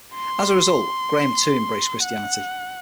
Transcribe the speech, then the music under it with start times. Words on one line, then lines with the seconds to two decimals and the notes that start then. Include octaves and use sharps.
As a result, Graham too embraced Christianity.
0.16 C6
2.03 F#5